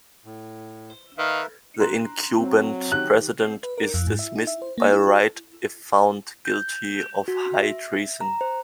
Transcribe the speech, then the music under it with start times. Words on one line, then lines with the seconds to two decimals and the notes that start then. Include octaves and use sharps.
The incumbent President is dismissed by right if found guilty of high treason.
0.25 A2
1.18 D#3 A#4 B4 E5 F5
1.80 A#5 C6 F#6
2.40 F#3 C4
2.92 D#3 G4 F#6
3.63 B4
3.78 A#4
3.94 F2
4.07 G#2
4.19 E5
4.36 D#4
4.47 E5
4.62 C5
4.78 A#3
4.93 E4
5.07 F#4
6.45 G6
7.28 F#4
7.54 E5
8.21 A#5
8.41 C5